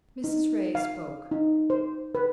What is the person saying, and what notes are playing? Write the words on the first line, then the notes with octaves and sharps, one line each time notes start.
Mrs. Ray spoke.
D#4
F5
D#4
C5
B4